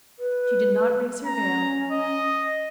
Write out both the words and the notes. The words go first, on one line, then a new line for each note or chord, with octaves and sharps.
She did not raise her veil.
B4
C#4 A#5
D#5